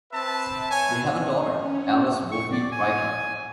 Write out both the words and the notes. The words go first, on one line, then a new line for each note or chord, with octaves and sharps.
They have a daughter, Alice Wolfe Reichert.
C4 B4 E5 A5
C#5 G#5
C#4
C#6
D5
G#5